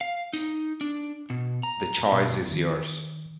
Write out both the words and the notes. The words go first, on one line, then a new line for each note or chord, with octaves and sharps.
The choice is yours.
F5
D#4
D4
B2
A#5
B2
D#3